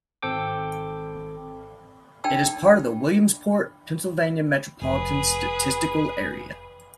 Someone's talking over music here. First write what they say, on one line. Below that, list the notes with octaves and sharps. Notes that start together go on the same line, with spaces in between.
It is part of the Williamsport, Pennsylvania Metropolitan Statistical Area.
G#1 C4 A4 G5 D6
D4 D#4 G5 A5 E6
F1 G#4 B4